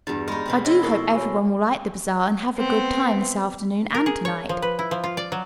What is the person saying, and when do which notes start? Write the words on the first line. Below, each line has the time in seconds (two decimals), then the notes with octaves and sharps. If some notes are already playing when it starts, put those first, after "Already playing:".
I do hope everyone will like the bazaar, and have a good time this afternoon and to-night.
0.07 E2 G2 D4 F#4 A6
0.28 G#3 D#4 G#4 B5 F6
0.46 B2 E3 C4
0.65 E4 C#5 D#5 A#6
0.83 D#4 E4 A4 A#4 D5 C#6 C7 G7
1.15 F#4 C#5 G#5
2.56 B3 C4
3.95 A#4
4.06 G#4
4.25 C#5
4.49 F3
4.62 B4
4.79 E4
4.91 F3
5.04 F4
5.17 D5
5.32 F#3